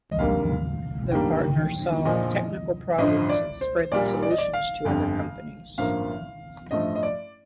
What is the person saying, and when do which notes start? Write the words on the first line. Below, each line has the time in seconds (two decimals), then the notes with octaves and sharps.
The partners solved technical problems and spread the solutions to other companies.
0.11 D#5
0.18 F1 D#2 D3 G3 A#3 F5
1.11 G2 D#3 G3 A#3 G5
2.05 A#1 A#2 F3 D#5
2.98 A1 G2 D3 F3 D#5
3.29 D5
3.61 C5
3.92 A#1 A#2 G3 A#3 D5
4.22 D5
4.30 D#5
4.38 D5
4.53 F5
4.85 G1 F2 D3 G3
5.78 A1 G2 F3 A#3 F5
6.71 A1 G2 F3 A3 D#5
6.95 D#5
7.03 D5